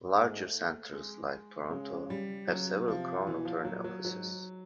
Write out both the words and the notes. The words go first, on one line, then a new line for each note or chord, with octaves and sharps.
Larger centres like Toronto have several Crown Attorney Offices.
G#2 A3
G#3
C#3 G#3
G3
C#3 F#3
C3 F3
B2 E3
F3
A#2 F#3
F#3
G#2 F#3